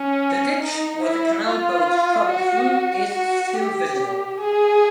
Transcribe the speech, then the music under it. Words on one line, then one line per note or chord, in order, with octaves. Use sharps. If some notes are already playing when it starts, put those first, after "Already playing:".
The ditch where the canal boats traveled through is still visible.
Already playing: C#4
D#4
E4
F4
F#4
F#4
G4
G#4